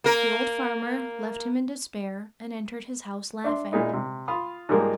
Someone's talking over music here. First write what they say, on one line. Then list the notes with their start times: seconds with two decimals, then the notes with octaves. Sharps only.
The old farmer left him in despair, and entered his house laughing.
0.04 A#3 A#4
3.44 D4 E5 C6
3.72 A#2 G#3 D#4 E4
3.93 C3
4.28 F4 F5 B5 C6 D#6
4.69 G#2 F3 G3 G#3 A#3